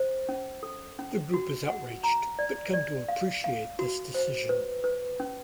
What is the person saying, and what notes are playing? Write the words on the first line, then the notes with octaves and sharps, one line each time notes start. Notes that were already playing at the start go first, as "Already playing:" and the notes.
The group is outraged, but come to appreciate this decision.
Already playing: C5
C#4
A4
C#4
F#4
F#5
A#5
D5
D5
F5
F5
F#4
C5
B4
B4
C#4